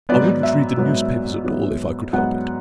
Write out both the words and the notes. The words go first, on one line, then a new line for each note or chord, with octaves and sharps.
I wouldn't read the newspapers at all if I could help it.
G#2 F#3 B3 D5
E5
G#2 F#3 B3
G#2 F#3 B3
G#2 F#3 B3 F#5